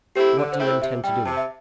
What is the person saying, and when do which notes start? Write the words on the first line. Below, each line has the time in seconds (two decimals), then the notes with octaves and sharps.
What do you intend to do?
0.15 A3 C4 E4 G4
0.37 D3 A4
0.52 C5
0.59 A3 C4 E4
0.67 C5
0.82 C3 E5
1.04 G3 E4 G5
1.25 C3 A5
1.37 E5